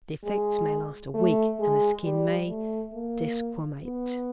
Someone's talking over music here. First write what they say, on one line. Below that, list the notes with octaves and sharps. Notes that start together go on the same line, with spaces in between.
The effects may last a week, and the skin may desquamate.
G#3
A3
G#3
G3
A3
A#3
B3